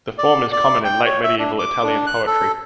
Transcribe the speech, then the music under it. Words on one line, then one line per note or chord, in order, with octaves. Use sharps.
The form is common in late medieval Italian poetry.
D5
D5
G5
C#5
E5
D4
D6
D4
F#6
A4